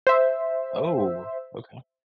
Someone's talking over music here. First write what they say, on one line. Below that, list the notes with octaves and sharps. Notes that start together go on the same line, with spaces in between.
Oh, okay.
C5 E5